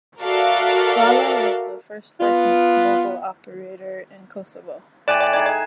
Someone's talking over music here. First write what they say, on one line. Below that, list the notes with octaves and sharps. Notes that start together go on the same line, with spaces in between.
Vala was the first licensed mobile operator in Kosovo.
F#4 A4 A#4 D5 E5 F5
B3 F4
A2 D5 G5 G#5 F#6 E7
D#4 G#4 G#6